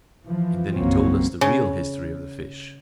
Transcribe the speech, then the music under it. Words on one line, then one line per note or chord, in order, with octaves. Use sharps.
And then he told us the real history of the fish.
E3 F3
F#1 B1 F#3 A#3 C4 C#4
C#3